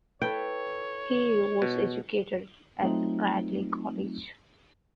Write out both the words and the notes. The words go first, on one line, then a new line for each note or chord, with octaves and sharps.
He was educated at Radley College.
E4 A4 B4 C#5 G5
B2
F#3 A3 C4 D#4 F4